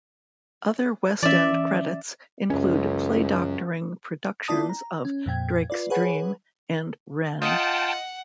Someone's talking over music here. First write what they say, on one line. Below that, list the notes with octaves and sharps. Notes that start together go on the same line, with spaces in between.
Other West End credits include playdoctoring productions of "Drake's Dream" and "Wren".
E3 C#4 D5 E5
C#2 F#2 C#4
E4 F4 D5 A5 D#6
A#5
C#4
F2 A#2 G5 G#6
F4 B4 D5
G#4 B4 C#5 F#5 G#5 B5
F4 D#5 F#5 G5 A5